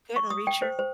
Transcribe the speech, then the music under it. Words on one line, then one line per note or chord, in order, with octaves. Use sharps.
Didn't reach her.
C#6
D#6
G5
C5
C5